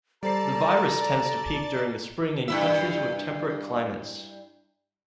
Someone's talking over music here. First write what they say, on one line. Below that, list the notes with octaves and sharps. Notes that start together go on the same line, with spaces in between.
The virus tends to peak during the spring in countries with temperate climates.
G3 A4 C5 D5 A5 A#5 A6 C7
G2 E4 E5